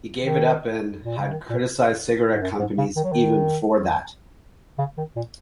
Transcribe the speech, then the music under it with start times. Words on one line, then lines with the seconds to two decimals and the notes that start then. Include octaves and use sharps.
He gave it up and had criticized cigarette companies even before that.
0.21 D#3
1.03 A#2
1.17 C#3
1.31 D#3
1.49 A#2
2.35 G#2
2.41 F#2
2.59 G#2
2.78 C#3
2.96 D#3
3.04 F#3
3.12 D#3
4.78 C#3
4.97 D#3
5.16 A#2